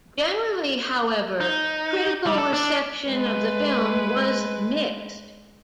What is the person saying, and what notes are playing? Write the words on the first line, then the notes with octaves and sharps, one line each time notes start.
Generally, however, critical reception of the film was mixed.
D#4
G3
A4
D4
G#3 B4